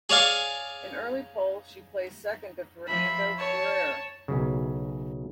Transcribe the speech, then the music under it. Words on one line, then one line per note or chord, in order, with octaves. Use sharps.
In early polls, she placed second to Fernando Ferrer.
G#4 C#5 D5 F5 G#5
F3 E5 B5
C#5 A5
B1 F#2 C#3